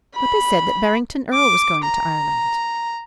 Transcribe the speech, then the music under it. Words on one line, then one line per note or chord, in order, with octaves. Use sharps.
"But they said that Barrington Erle was going to Ireland."
B5
D6
A#5